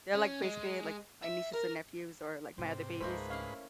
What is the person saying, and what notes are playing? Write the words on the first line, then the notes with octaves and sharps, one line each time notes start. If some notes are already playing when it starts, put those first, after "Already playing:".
they're, like, basically, like, my nieces and nephews or, like, my other babies.
C#4
G#3
E5
A#4
G#2 C3
C#2 G#2 C#3 A3 A#3 D#4 B4 C5
C#4 E4 F5